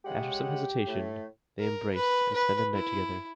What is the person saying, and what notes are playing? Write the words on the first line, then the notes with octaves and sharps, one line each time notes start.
After some hesitation, they embrace and spend the night together.
C#3 G#3 G4 F#5
A2 A3
A#4
B4
B4
E4